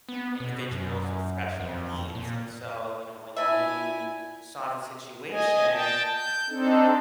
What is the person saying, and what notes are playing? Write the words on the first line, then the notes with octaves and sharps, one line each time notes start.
individuals with special needs and, so, you know, when you saw the situation,
B3
B2
F#2
F2
A#2
D4 E4 E5 G#5
D#5 G#5
G5 A5
G6
C4 D4 D#4 A4